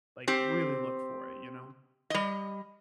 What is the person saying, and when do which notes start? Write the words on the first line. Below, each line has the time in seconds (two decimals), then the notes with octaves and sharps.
like, really look for it, you know?
0.28 C4 G4
2.10 G3 D#5